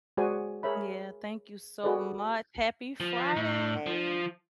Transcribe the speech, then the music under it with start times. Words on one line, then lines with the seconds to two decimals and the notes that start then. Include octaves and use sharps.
Yeah, thank you so much. Happy Friday!
0.17 G#3 F#4 G#4 C5 D5 G#5
0.63 G#4 A#4 C#5 E5 B5
1.84 F#4 G#4 A4 B4 D5
3.00 F3
3.37 A2
3.87 F3